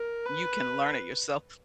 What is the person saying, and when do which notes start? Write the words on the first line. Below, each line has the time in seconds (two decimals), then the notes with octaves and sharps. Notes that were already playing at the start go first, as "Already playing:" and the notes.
you can learn it yourself.
Already playing: A#4
0.26 B4